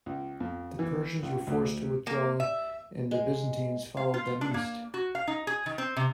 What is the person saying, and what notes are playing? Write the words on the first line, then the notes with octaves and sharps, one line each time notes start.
The Persians were forced to withdraw, and the Byzantines followed them east.
C#2
F2
E3
C#2
D2
A#3
E5
G#3
F5
F4
D4
A#3
F#4
F5
D#4
G#4
D#3
C4
C3